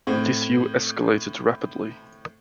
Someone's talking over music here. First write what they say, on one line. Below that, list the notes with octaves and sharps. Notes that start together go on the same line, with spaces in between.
This view escalated rapidly.
A2 C4